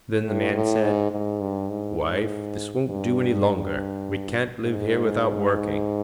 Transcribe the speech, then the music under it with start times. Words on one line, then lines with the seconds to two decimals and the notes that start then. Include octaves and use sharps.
Then the Man said: 'Wife, this won't do any longer; we can't live here without working.
0.24 A2
0.53 A2
0.82 G#2
1.11 G#2
1.41 G2
1.70 G#2
1.99 G#2
2.87 G2
4.61 G#2